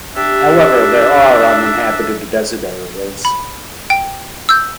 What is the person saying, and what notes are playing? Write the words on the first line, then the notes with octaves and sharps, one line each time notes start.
However, there are uninhabited desert areas.
D4 G4 E5
B5
G5
E6 G6